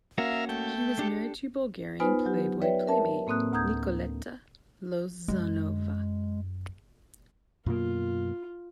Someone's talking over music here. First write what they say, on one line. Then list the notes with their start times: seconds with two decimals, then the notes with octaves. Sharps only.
He was married to Bulgarian Playboy Playmate Nikoleta Lozanova.
0.18 A#3 C#4 F#4 A#4 E5 F5
0.49 A3 G5
0.99 D4 G4 A4
2.00 B3 D#4 F4 B4 C5 G#5
2.25 F#3 G4
2.62 B4 C#5 D5 E5 G5
2.87 A#4 E5 A5
3.27 A2 A#3 C4 D#6 F#6
3.53 D2 A#5 D#6 G6 G#6
5.28 F#2 G#3
7.66 F#2 B2 A#3 F4